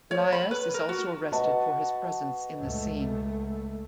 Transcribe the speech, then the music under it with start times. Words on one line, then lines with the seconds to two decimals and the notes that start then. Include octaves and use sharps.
Elias is also arrested for his presence in the scene.
0.11 C#5
0.32 B5
0.51 B4
0.74 A#4
0.89 F#4
1.32 F#4 B4 D#5 A5
2.61 C#2 A3